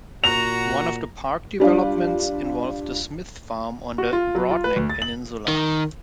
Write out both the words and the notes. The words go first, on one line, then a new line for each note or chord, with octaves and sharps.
One of the park developments involved the Smith Farm on the Broadneck Peninsula.
A#2 F#4 A#5 F7
G3 D4 F4
F#4
F4
F#3
F4
B4
D2
A6
F#7
D#3